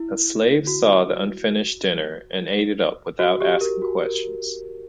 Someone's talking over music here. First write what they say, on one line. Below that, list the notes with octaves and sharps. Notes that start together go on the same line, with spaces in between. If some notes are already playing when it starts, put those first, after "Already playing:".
A slave saw the unfinished dinner and ate it up without asking questions.
Already playing: E4
F#4
F#4
G4
A#4
F#4
A#4